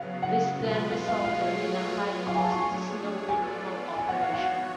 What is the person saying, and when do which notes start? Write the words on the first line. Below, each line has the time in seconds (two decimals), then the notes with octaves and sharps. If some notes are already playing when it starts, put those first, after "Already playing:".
This then resulted in a high cost snow removal operation.
Already playing: C#3 F#3 B3 F5
0.22 F#5
0.56 B2 G#3 B3 F4 B4
0.91 F5
1.08 F5
1.24 F#3 A3 F4 G#4 C#5 F5
1.93 F#3 B3 F4 G#4
2.27 F5
2.35 G#5
2.43 A5
2.52 C#6
2.60 A3 D4 G#4 C#5 G#5
3.29 B3 F4 A4 D5 G#5
3.96 B3 F#4 C#5 G#5
4.09 F#5
4.21 F5
4.33 F#5